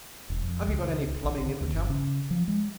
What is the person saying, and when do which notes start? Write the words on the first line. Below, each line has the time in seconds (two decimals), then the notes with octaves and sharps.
Have you got any plumbing in the camp?
0.30 E1
0.43 F2
0.68 C#2
1.24 A#1
1.46 D3
1.61 D#2
1.73 G1
1.89 C#3
2.31 F3
2.48 G#3